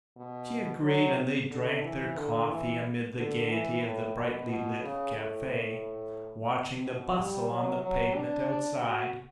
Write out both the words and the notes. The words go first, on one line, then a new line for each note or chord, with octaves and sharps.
She agreed and they drank their coffee amid the gaiety of the brightly-lit cafe, watching the bustle on the pavement outside.
B2
F#3
D3
E3
D3
E3
D3
E3
A2
B2
B2
C#3
A2
A2
B2
G3
F#3
F#3
D4
F#4